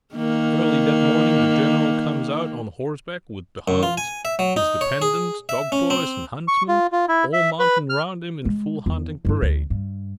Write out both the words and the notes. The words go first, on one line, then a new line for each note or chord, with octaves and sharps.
Early that morning the general comes out on horseback, with the hounds, his dependents, dog-boys, and huntsmen, all mounted around him in full hunting parade.
D#3 A#3
F#2
F4
G#5
E5
F#3
D#4
C#5
G#4
E5
C#4
C4
C#6
F4
F4
E4
E5
B4
F6
G#3
E2
G2 E4
D2
G2